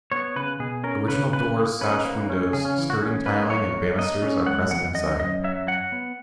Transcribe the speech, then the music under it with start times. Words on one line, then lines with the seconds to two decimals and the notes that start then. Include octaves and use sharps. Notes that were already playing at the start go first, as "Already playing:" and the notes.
Original doors sash windows skirting tiling and banisters are present inside.
0.12 B3 C#5
0.36 C#3 B4
0.60 B2 G#4
0.84 C#4 A#4
1.08 C#3 B4
1.32 C#3 B4
1.57 A#3
1.81 C#4 B4
2.05 A#3
2.30 C#4
2.53 C#3 G#4
2.65 C#4
2.78 E3
2.90 F#4
3.02 C#4
3.26 A#3 B4
3.50 F#3 C#5
3.75 F#3
3.98 A#3 D#5
4.22 C#4
4.46 G#3 F#5
4.71 E2 F#5
4.94 F#2 D#5
5.19 F#2 D#5
5.44 F#3 E5
5.67 F#3 F#5
5.92 B3